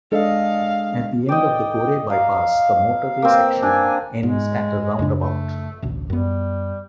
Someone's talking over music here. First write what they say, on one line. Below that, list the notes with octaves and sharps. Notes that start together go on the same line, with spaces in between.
At the end of the Gorey bypass the motorway section ends at a roundabout.
G#3 D4 A4 D#5 F5
D5 D#5 G5
F5 A#5
A#3 C4
D4 G#5
G#2 G#3
F#2 C#3 D4
A3
A1 D2 B2
F#2 G3 B3